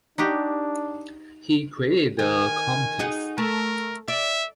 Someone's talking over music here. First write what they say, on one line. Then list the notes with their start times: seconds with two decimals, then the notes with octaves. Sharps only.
He created the Comtesse.
0.18 D4 D#4 F#4 G4
2.19 D#3 G#5
2.99 D#4 F#4 G#4
3.38 A3 A#4
4.08 D5 E5